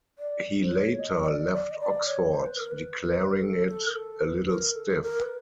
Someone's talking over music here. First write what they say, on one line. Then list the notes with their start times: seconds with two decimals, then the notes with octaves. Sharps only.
He later left Oxford, declaring it "a little stiff".
0.19 D5
0.62 C5
0.72 C#5
0.99 D#5
1.22 D#5
1.26 D5
1.53 D5
1.71 D#5
1.80 D5
2.07 C#5
2.33 C5
2.46 B4
2.58 A#4
2.71 B4
3.31 A#4
3.42 A4
3.68 A4
3.87 A#4
3.95 A4
4.22 B4
4.49 A#4
4.75 A4
5.02 A#4
5.21 B4